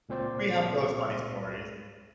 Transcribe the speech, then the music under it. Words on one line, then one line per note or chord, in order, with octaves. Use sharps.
we have those funny stories.
C#2 A#2 C4 C5 D5